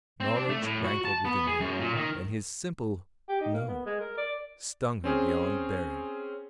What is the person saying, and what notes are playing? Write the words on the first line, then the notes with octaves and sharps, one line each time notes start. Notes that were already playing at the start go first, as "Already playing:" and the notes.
The knowledge rankled within her, and his simple "no" stung her beyond bearing.
C4
D4
A3
A2
F#4
A5
B3
G#4
F#2
A#2
D#3
G4
D#4
A#3
B3
G#3
A#4
D5
C4 C#4 G#4